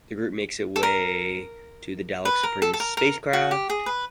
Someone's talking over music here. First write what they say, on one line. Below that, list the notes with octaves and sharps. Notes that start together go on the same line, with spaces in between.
The group makes its way to the Dalek Supreme's spacecraft.
A4
A#4
B4
A#4
A4
A4
A#4
A#4
F#4
G4
G#4
B4